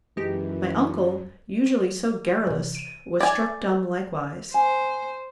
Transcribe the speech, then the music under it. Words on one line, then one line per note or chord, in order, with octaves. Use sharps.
My uncle, usually so garrulous, was struck dumb likewise.
F#2 E3 G#3 D#4 G4
C3 E3
D7 D#7
C#5 D5 G#5
A4
C5 G#5